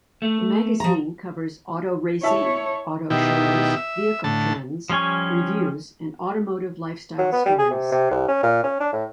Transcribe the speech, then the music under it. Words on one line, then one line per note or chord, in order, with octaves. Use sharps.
The magazine covers auto racing, auto shows, vehicle trends, reviews and automotive lifestyle stories.
A3
F3 A#5
E4 C#5 E5 A5
B2 D#3 E4 G4
E5
A2 D3 A5
F3 G3 C#4 G#5 C#6
F#3
B3
G3
G#4
C3
C3
C2
C#4
A#2
C#4
D4
A2